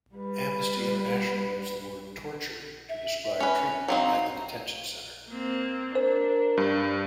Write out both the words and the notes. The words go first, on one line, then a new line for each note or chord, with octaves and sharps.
Amnesty International used the word "torture" to describe treatment at the detention center.
G3 B4
E5
C#4 B4
F#3 C4 D#4 F5
A#3 C4
D4 A#4 C5
G2